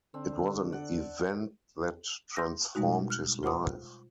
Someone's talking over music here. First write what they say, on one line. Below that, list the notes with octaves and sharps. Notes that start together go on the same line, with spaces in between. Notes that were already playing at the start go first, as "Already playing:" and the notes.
It was an event that transformed his life.
D3 C4 D4
D5 F#5
C6 G6 A#6
B2 G3 G#3 D#4 F#4
F6 F#6
F4 C5 F#5 D6 D#6